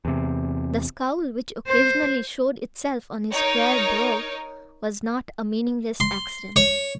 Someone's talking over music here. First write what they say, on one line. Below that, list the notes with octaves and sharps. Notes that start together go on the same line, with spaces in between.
The scowl which occasionally showed itself on his square brow was not a meaningless accident.
E2 C3
C5
D#4 A#4 C#5
C6
C#5